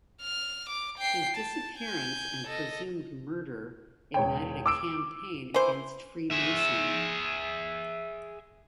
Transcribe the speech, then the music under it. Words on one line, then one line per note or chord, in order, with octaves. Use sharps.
His disappearance and presumed murder ignited a campaign against Freemasonry.
F6
D6
G5 C7
A5
G#5 G6
A4 D#5
E1 C#5 G5
D6 E6 D7
E3 C5
G#4 E5